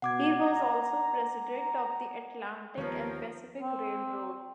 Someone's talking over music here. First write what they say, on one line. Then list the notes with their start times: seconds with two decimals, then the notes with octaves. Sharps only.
He was also president of the Atlantic and Pacific Railroad.
0.02 B2 F#5 D6 G#6
0.43 A#5
2.78 D#2 F3 B3 A#4 C#5
3.59 C4